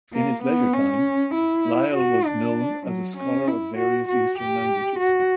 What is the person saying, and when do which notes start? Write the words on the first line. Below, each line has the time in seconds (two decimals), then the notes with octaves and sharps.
In his leisure time Lyall was known as a scholar of various Eastern languages.
0.13 A#3
0.43 B3
0.74 C#4
1.35 E4
1.96 F#4
2.26 D4
2.87 F#3
3.17 C#4
3.48 E4
3.78 F#4
4.09 F#4
4.39 G4
5.00 F#4